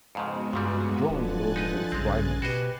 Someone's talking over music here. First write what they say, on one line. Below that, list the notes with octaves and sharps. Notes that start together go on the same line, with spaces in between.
The drawing loses its brightness.
F2 G#2 C#3 G#3 B3 F#4
G2 A#2 C#3 G3
D#1 D3 F3 G#5 F#6 A6
D#4 B4
A#1 G2 C#3 G#3 C4
B2 F#4 G4 B4 C5 D#5